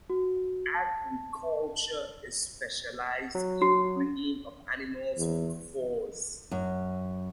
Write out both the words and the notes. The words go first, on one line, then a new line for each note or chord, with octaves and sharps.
Agriculture is specialized in breeding of animals for furs.
F#4
A5
F#3
F#4
E2
F#2